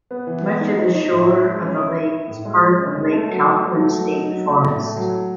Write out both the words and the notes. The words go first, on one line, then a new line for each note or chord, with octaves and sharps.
Much of the shore of the lake is part of Lake Talquin State Forest.
B3
E3
B3
D#4
D#4
D#4
A2
E4
G#3
C#4
E4
E4
E4
A2
G#3
G#3
C#4
G#3
A3
F#3
A3
F#3
A3
F#3
D#4
F#3
A3
A2
A3
F#3